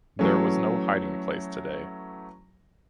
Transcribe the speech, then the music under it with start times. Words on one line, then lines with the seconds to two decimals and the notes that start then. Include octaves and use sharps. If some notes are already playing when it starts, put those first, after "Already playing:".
There was no hiding place today.
0.19 E3 F#3 A3 C#4